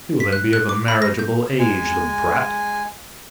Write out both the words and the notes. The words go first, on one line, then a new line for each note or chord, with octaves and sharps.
He will then be of a marriageable age, the brat!
B6
F#6
F#6
D6
B5
A#6
G6
G#3 G#5